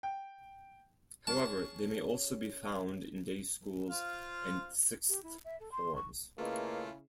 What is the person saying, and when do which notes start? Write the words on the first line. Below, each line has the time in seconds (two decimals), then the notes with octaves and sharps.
However, they may also be found in day schools and sixth forms.
0.03 G5
1.27 C#4 G#4 A5
3.90 F4 C5 F5
5.09 G4
5.23 E4
5.44 E5
5.60 A4
5.72 C6
5.95 C#6
6.38 C#3 A3 A#3 E4 F4 G#4 B4 D#5